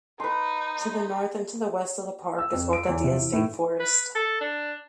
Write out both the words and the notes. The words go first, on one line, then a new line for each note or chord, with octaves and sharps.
To the north and to the west of the park is Orkadilla State Forest.
D#4 B4 C6
E6
F2
D7
E2
C3
E3
A2
B4
A4
D4